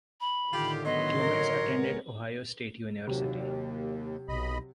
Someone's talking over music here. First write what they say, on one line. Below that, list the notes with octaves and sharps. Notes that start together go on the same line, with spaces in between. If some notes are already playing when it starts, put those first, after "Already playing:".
Clements attended Ohio State University.
B5
A2 D3 D#3 F4 G4
F#3 B3 D#5 C6
A#4 C#5
G#3 B3
D#2 C3 F#3
B1 D#5 B5